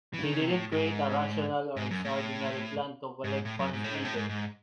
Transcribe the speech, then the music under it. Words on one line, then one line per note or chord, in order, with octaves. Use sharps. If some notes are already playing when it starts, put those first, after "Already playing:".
He didn’t create a rational or extraordinary plan to collect funds either.
E3
D#3
C#3
C3
A2
G#2
G#2
F#2
A2
G#2
A2
F#2
G#2
A2
G#2
A2
G#2
G#2